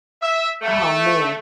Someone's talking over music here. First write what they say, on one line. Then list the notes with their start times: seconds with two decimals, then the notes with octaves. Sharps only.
Oh, man.
0.22 E5
0.62 A3